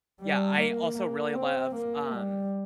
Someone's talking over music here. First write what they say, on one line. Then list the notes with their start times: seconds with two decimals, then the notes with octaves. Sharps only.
Yeah, I also really love, um,
0.20 G3
0.58 A#3
0.98 A#3
1.36 C4
1.75 A#3
2.13 G3